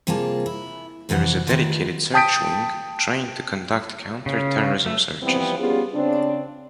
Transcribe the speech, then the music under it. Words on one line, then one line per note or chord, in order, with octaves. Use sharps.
There is a dedicated search wing, trained to conduct counter-terrorism searches.
C3 G3 A#3 F4 G#4 A5
E4
F2 C3 E3 G#4 F#5
D#3 F3 A3 B3 F4 G4
G5 A5 D#6 G6 B6 D7
C#3
A3
E3 F3 G3 B3 C4
G3 B3 C#4 F4 G4 G#4
C#3 C4 D4